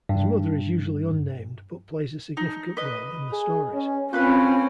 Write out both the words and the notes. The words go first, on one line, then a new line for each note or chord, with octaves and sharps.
His mother is usually unnamed but plays a significant role in the stories.
G2
D#4
B4 D#5
G#4
C#4
C4 C#4 F4 B4 B5 F#6